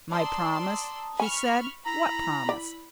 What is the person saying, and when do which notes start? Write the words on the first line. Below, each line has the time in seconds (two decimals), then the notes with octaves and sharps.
"My promise," he said, "what promise?"
0.11 D5 A5 A#5 C6 D#6 E6
1.20 G#5 B5 C#6 F6
1.86 E4 A#5 B5
2.49 D5